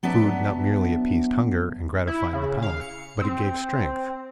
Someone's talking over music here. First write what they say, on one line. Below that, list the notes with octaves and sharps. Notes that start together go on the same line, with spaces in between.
Food not merely appeased hunger and gratified the palate, but it gave strength.
F#3 B3 D4 E5 A5
E4
C#3
F5
C#7
C4